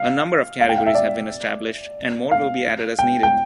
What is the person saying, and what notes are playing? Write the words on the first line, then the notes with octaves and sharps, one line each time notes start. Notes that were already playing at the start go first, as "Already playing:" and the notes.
A number of categories have been established and more will be added as needed.
Already playing: F5
F5
G5
F5
E5
D5
F5
G5
G5